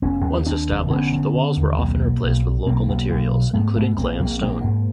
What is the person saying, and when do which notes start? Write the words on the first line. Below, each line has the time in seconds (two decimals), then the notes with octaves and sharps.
Once established, the walls were often replaced with local materials, including clay and stone.
0.02 F1 B3 C#4
0.25 D#2
0.46 D#2 C4 D4
0.69 F1
0.90 D3 B3 C#4
1.12 D3
1.34 D3
1.57 D#2
1.78 B1 A#3 C4
2.00 B2
2.23 B1
2.44 B2
2.66 B1 A#3 C4
2.88 B1
3.10 B1
3.32 B2
3.53 G#2 A3 B3
3.76 G#2 A3 B3
3.98 A#1 A#3 C4
4.19 A#1 A#3 C4
4.41 A#1 A#3 C4
4.64 G#2